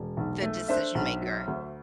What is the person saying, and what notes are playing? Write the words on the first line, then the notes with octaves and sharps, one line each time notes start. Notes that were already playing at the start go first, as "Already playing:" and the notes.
the decision maker,
Already playing: E1
B1
A3
D4 C5 E5
B1
F#3
D2